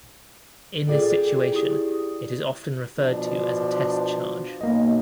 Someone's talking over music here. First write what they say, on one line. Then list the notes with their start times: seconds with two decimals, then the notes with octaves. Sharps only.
In this situation it is often referred to as a test charge.
0.87 F4 G#4 A4 D5 G5
1.52 E4 G4 D#6
2.98 B2 F3 D4
4.61 B1 A#3 D#5